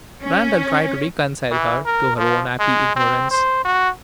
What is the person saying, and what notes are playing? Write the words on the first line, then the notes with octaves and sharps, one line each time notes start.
Randal tried to reconcile her to her own happy ignorance.
C#4
E3
A#4
F3
G#3
C4
C5
F#4